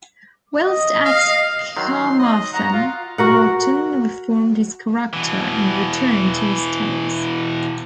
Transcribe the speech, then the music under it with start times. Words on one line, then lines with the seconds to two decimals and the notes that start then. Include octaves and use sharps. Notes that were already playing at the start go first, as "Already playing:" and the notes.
Whilst at Carmarthen, Wotton reformed his character and returned to his studies.
0.65 D#5
1.04 F5
1.77 D#3 F#3 C6
2.19 D#5
2.53 F#4 F#5 A#5
2.72 F4
3.18 F#4 A#4 F#5
5.13 B2 E3